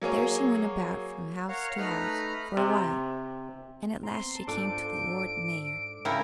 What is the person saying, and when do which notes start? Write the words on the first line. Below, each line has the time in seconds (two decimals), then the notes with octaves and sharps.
There she went about from house to house for a while, and at last she came to the Lord Mayor.
0.02 F#3 A#3 G#4 C#5
1.49 A#4 C#5 F5 F#5
1.77 A3 D#4 B4 A#5 B5 F6
2.57 C3
4.03 B3 C4 A#5 C6
4.34 A5
4.47 G#2 D4 F4 A4 C5 D7
6.05 C#3 G#3 E4 A#4 G5